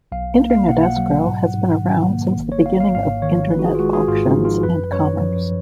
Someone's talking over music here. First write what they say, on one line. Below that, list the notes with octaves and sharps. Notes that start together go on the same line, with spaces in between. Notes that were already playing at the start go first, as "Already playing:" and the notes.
Internet escrow has been around since the beginning of Internet auctions and commerce.
B1 F5
A#3
F5
B2 F#5
F#5
F#3
G#2
G#2
D#3
A#3
G#1
C#5
G#1 F5
F5
G#2 F5
D#3 C#5
G#1 B4
F#4
G#4
F4
G#3 F#4
G#4
G#2 F4
D#4
F3
F4
F#2 B4
F#2 C#5
F3